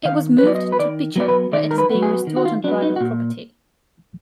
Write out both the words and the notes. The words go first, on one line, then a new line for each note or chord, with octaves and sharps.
It was moved to Peacham where it is being restored on private property.
D#3 F5
B4
F#3 B3 D5
D#5
B4
D#3 D5
F#3 B3 D5
B4
D#3 D5
A#4
B4
F#3 B3
G#4
D#3
F#4
F4
F#3 B3 D4
D#4
F#4
A#2